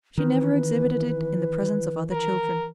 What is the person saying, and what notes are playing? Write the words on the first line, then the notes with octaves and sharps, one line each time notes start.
She never exhibited it in the presence of other children.
D#3 E3 C4 B4
A#4